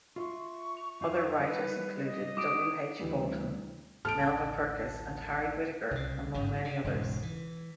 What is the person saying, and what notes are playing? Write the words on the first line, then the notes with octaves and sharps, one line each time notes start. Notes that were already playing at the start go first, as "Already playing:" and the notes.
Other writers included W. H. Boulton, Melva Purkis, and Harry Whittaker among many others.
F4 E5 C6 C#6
F7
F2 D#4 F4
G3 D#4 B4
D#5
G#3 E4 F#4 D6 D#6 D7
D2 D3 E3 G3 A3
A1 D2 A2 A4 F6 D7
C2 C#3
G#1 G2 D#3
C#3
E1 C#2 G#2
E3